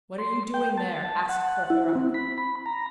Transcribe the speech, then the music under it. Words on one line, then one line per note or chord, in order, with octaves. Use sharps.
"What are you doing there?" asked Courfeyrac.
C6
G5
A5
F#5
E4
C4
B5
B5
A#5